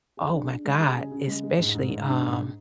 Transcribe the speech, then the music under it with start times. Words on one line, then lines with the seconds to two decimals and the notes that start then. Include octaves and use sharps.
Oh my god, especially, um,
0.17 G#4
0.33 D4
0.49 D4
0.65 G#3
0.81 G#4
0.96 C#3
1.11 C#3
1.27 G#3
1.43 G#3
1.59 G#2
1.75 G#2
1.90 G#2
2.06 D4
2.22 G#2